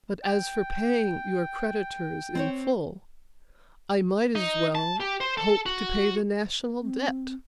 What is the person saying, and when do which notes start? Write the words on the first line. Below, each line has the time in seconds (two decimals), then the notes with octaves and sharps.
But as for paying your creditors in full, I might as well hope to pay the National Debt.
0.23 G5
2.35 C4 C5 C#5
4.35 D#4
4.75 A5
5.00 G4
5.20 C5
5.37 A4
5.66 F#4
6.81 C4